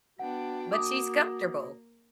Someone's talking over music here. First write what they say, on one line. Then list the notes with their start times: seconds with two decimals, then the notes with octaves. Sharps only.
But, she's comfortable.
0.19 B3 D4 F#4 F#5 G5
0.73 A#3 D6 D#6